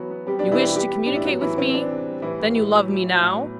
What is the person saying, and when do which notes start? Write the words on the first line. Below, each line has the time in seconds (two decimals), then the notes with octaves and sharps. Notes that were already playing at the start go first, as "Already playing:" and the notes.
"You wish to communicate with me;--then you love me now?"
Already playing: E3 F#3 B3 F#4
0.10 B3
0.27 G3 C4 G4
0.39 D4 D5
0.43 B2
0.51 E3 E4
0.60 G3 C4 G4
0.76 G3 B3 G4
0.92 G3
1.06 A2 D4
1.15 E4
1.24 F#3 B3 F#4
1.41 E3 B3 E4
1.58 E3 C4
1.74 C4 D4
1.91 C3
2.07 G3
2.22 A2 E3 E4
2.40 A2
2.55 A2
2.72 F#3
2.88 F#3
3.04 F#3
3.20 A2
3.37 B3